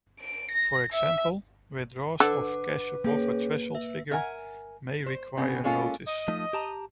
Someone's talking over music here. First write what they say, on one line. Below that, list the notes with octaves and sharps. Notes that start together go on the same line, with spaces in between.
For example, withdrawals of cash above a threshold figure may require notice.
D7
A#6
E5
D3 A4 B4 F#5 D6
A#3 C#4 G#4 C#5
E5
A#4 E5 F#5 G#5
C5
C#3 B3 C4
G#3 A#3 C#4 F4 A4
D#5
F3 A3 D#4
G4 A5 A#5